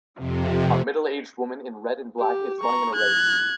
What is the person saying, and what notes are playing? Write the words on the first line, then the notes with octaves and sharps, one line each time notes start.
A middleaged woman in red and black is running in a race.
F2 C3
G4
A#5 C#6
F#6 G#6